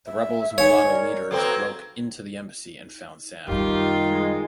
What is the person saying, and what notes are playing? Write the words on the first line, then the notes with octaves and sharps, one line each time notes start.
The rebels' mulatto leaders broke into the embassy and found Sam.
E5
D#4 C#5 F5 G#5 C#7
A#4 D5
F#3 A#3 C4 A4 B4
F#2 D#3 G3 F4 G4
G#3